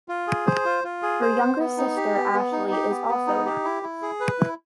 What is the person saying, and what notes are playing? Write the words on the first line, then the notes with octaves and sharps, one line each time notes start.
Her younger sister Ashley is also an actress.
F4
G#4
C5
F4
F4
G#4
C5
B3
B3
D#4
G4
B3
B3
D#4
G4
B3
B3
D#4
G4
E4
E4
G#4
B4
E4